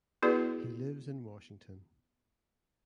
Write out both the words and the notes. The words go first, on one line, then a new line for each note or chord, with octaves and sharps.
He lives in Washington.
B3 E4 F#4 G#4 B4 D5